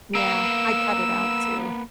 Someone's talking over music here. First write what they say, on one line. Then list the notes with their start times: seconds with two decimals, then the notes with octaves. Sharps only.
Yeah, I cut it out too.
0.15 A#3 B3 F5 E6